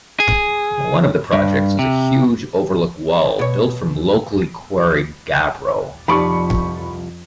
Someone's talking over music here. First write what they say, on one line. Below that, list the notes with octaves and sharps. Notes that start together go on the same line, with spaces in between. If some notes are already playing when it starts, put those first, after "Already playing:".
One of the projects was a huge overlook wall, built from locally quarried gabbro.
G#4
G2
C3
B2 C#5
C2 F2 F3 D#4 G4 D5 B5 C#6